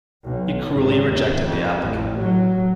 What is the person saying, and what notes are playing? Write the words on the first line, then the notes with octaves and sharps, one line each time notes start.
He cruelly rejected the applicant.
B1
G#1
D#2
F2
A1
F#3